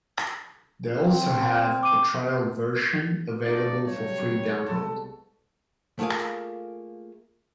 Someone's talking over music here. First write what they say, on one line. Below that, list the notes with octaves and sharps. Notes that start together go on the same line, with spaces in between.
They also have a trial version available for free download.
C4
D6 D#7
G2 D#4 F#4 D5
C2 F#3 G3 C#5
C2 B2 G#3 F#4 A4
A3 A#3 F4 G#4 F5